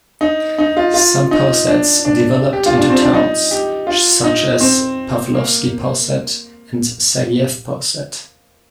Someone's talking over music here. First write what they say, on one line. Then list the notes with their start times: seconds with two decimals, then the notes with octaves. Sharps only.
Some posads developed into towns, such as Pavlovsky Posad and Sergiev Posad.
0.21 D#4
0.58 D#4
0.77 F4
0.94 F4
1.31 D#4
1.68 D4
2.05 D4
2.53 G4
2.66 F4
2.77 D4
2.90 C4
3.02 D4
3.14 D#4
3.51 G4
3.87 F4
4.24 D#4
4.60 C4
5.34 A#3